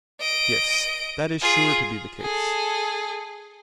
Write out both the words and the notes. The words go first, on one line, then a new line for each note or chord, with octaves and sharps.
Yes, that is sure to be the case.
D#5 D7
F4 G#4
G#4 A4